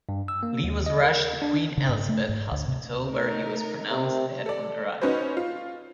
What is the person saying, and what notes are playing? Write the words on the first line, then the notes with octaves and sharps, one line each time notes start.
Lee was rushed to Queen Elizabeth Hospital where he was pronounced dead on arrival.
G2
E6
A#3
D#2
D#5
A#4
D4
C#3
G#2
A3
G#2
D2
C3
A3 D#4 A#4
C3
A4 D5
C#4 D#4 F#4 B4 C5
F4